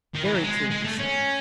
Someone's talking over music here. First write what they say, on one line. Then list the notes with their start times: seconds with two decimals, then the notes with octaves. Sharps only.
Very true, he said.
0.14 D#3
0.24 E3
0.34 F#3
0.43 G#3
0.71 G#3
0.85 A3
1.00 C#4